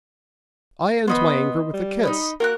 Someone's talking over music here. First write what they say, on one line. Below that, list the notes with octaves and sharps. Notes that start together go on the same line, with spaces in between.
I end my anger with a kiss.
B3 C5 D#5 B5
G3
D#4 D#5 B5
A#3 F#4 A#4 F#6